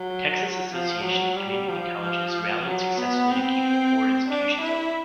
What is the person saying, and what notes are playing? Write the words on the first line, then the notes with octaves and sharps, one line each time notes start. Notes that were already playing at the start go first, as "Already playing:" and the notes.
The Texas Association of Community Colleges rallied successfully to keep the four institutions open.
Already playing: F#3
F3
F#3
G3
F3
F3
F#3
B3
C4
D4
E4